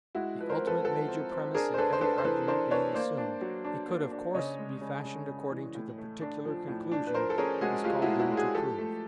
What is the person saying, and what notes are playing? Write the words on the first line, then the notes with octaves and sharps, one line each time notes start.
The ultimate major premise in every argument being assumed, it could of course be fashioned according to the particular conclusion it was called in to prove.
G#3 E4 F#4
F3 B4
A#4 C5
C4
A4 B4
F3 A4 B4
C4
C4
D4 G#4 A#4
C5
D4 A4 B4
C5
D4 A4 B4
C5
E3 A4 B4
D4 A#4 C5
D4 B4 C#5
A#3 C5 D5
D4
F#3
D4
A#3
D4
C#3 C#5 D#5
G#3
C#3
C#3
C#3
E3
A2
A3
D4
F3
A2
D4
B4
F3 A#4 C5
A4
C#4 G#4 A#4
G#3 F#4 G#4
G#3 F4 G4
E4 F#4
G#3
E4 F#4
G#3
F#4 G#4
F3 G4 A4
A3